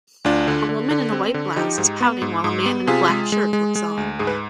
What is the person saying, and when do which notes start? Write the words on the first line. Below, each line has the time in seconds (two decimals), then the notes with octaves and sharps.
A woman in a white blouse is pouting while a man in a black shirt looks on.
0.25 D2 D4 F4
0.48 D3
0.69 D3
0.91 D3
1.12 C4
1.34 D3
1.56 F3 D#4 G4
1.78 G#2
2.00 B3
2.22 G#2
2.44 G#2
2.66 B3
2.87 C3 F4 G#4
3.09 G#3
3.32 G#3
3.53 G#3
3.75 G#3
3.97 D2
4.19 G#2 G#4
4.27 B4